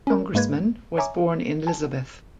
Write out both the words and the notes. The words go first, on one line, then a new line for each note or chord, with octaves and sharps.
Congressman, was born in Elizabeth.
C#4 A#4
G#2 G#3 A#3 B4 G#6
C#5 E5 G#5 A#5 C#6 D6
G#5 A5